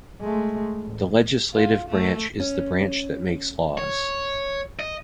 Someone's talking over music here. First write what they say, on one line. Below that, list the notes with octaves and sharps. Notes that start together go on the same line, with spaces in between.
The legislative branch is the branch that makes laws.
G#3 A3
A1
F4
A3
C#4
C#5
D#5